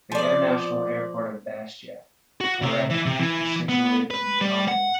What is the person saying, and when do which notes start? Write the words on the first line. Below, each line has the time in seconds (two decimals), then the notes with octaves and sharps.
The international airport of Bastia - Poretta is situated in the commune.
0.12 F3 D5
2.41 F#4
2.62 C3
2.90 E3
3.06 C3
3.20 E3
3.69 B3
4.11 B4
4.41 G3
4.68 F#5